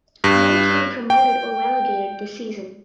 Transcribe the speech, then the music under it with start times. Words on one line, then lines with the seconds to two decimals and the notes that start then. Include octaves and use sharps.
No team promoted or relegated this season.
0.24 G2
1.10 G5